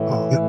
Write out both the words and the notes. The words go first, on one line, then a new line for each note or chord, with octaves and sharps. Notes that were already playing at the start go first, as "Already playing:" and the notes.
Oh, th
Already playing: A2 E3
A2